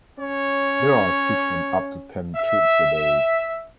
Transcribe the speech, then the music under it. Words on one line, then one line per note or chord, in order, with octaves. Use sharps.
There are six and up to ten trips a day.
C#4 C#5
E5